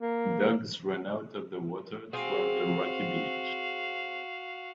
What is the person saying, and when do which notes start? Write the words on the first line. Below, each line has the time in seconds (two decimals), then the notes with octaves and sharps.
Dogs run out of the water toward a rocky beach.
0.02 A#3
2.13 C4 F#4 G#4 F5